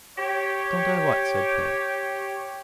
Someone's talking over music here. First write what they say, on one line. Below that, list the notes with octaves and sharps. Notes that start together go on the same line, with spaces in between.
'Don't I what?' said Peg.
G4 C#5